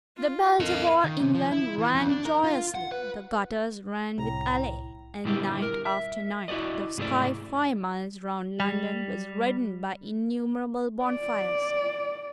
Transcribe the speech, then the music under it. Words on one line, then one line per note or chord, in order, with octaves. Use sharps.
The bells of all England rang joyously: the gutters ran with ale; and, night after night, the sky five miles round London was reddened by innumerable bonfires.
F4
A4 A#4 D#5 F5
D#3
C3
F3
E4
E3
F2
D4
A#4
F4
F#5
B4
C2 A2 A#5
A#2 D3 G3 E4 F#4 G4
A#4
E5
E4 F#4 A4 D5 D#5
G#2 C3 G#3 A3 E4 D5
G3
D5